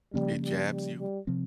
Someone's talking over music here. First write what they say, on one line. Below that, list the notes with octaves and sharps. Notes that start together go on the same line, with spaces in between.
It jabs you.
C#3 F3 G3 A#3 C#4
G3
G3
G3
C3 F3 C4